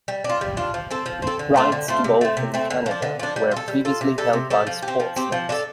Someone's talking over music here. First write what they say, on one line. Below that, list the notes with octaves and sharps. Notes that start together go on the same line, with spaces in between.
Rights to both in Canada were previously held by Sportsnet.
G3
D4 F4
G3
D4 F4
F3
C4 A4
F3
C4 A4
D3
A3 C4 F4
D3
A3 C4 F4
C3
A3 C4
C3
A3 C4
D3
F3
D4
D3
F3 D4
G3
F4
A4
G3
F4 A4
C3
G3 D4 A4
C3
G3 D4 A4
F3
G4
C4
F3
C4 G4
F3
D4 F4 A4